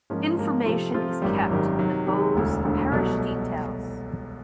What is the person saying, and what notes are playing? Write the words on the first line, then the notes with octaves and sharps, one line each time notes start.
Information is kept in the Bowes parish details.
G#2 F3 A#3 C#4
G#2 F3 A#3 C#4
C3 F3 A3 C4 F4
C3 F3 A3 C4 F4
G#1 F#2 D#3 G3
G#1 F#2 D#3 G3
C3 D#3 F#3
C3 D#3 F#3
E1 D2 D3
E1 D2 D3
C2 B2 F#3 A3